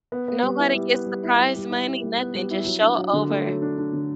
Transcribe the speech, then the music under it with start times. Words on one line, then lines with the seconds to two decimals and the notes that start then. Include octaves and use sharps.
Nobody gets the prize money, nothing, just show over.
0.12 B3
0.28 B3
0.43 G3
0.59 E4
0.75 G3
0.92 B3
1.07 G3
1.23 E4
1.39 G3
1.55 G3
1.70 E4
1.86 E4
2.02 G3
2.18 B3
2.35 G3
2.51 E4
2.66 F#3
2.82 D4
2.98 F#3
3.13 D3
3.30 A3
3.46 F#3
3.62 D4
3.78 D4
3.93 D3